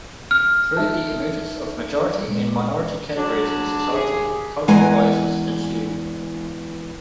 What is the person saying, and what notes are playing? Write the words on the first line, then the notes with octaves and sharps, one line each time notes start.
Through the emergence of majority and minority categories in society, cultural biases ensue.
F6
D#4 E5 A5
A#2 G#3
F#3 G#3 D4
D#2 G4 G#4
E2 E3 G#3 G#5 A#5